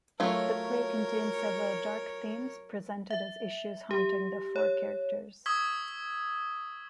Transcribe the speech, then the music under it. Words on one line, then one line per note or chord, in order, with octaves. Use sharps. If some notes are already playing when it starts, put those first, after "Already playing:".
The play contains several dark themes, presented as issues haunting the four characters.
F#3 A3 F4 A#4 C#5
E5
G4
C#5
C#6 D#6 E6 G#6 B6